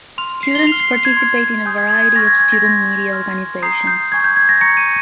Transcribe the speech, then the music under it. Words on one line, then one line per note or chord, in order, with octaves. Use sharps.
Students participate in a variety of student media organizations.
C6 F6 F7
C7
G7
C6 F6 F7
C7
G#6
C6 F6
G#5 D#6 G6
G#6
G#6
G#6
G#5 C#6 F6 A#6
G#6
G#6
A#6
C6 G6
C6 F6
A#5 D#6 G6 C7
G6
G#5 C#6 G6 G#6
G6
G#6
A#6
A#5 C#6 G6 C#7
D#7